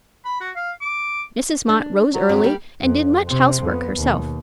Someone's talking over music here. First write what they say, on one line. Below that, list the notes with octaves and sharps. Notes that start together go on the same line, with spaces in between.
Mrs. Mott rose early, and did much housework herself.
B5
F#4
F5
D6
D4
F#3
G2 C4
G3 A#3 G4
F2
C3 C4
F2 B3
D#2 B2